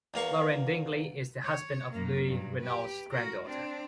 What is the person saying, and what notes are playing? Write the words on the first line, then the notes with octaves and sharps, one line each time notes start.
Laurent Dingli is the husband of Louis Renault's granddaughter.
E2 A#3 F5 C#6
C#5
F#2 A#3
G2 F#3
G4 B4
F#4 A#4
C4 D4